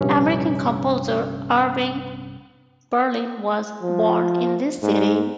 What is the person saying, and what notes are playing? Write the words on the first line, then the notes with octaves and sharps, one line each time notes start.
American composer Irving Berlin was born in this city.
A#1 G2 C3 C#4
F3
G#2